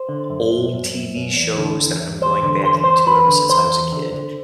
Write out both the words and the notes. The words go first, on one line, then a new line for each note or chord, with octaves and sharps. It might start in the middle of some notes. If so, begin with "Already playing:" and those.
old TV shows that I'm going back into ever since I was a kid.
Already playing: C5
D3
F#2
F#2
F#2
F#2
F#2
E2
D3
E2
E2
E2 C5
D3
E2 C5
E2 C5
E2 B4
D3
E2 C5
E2
D3
D3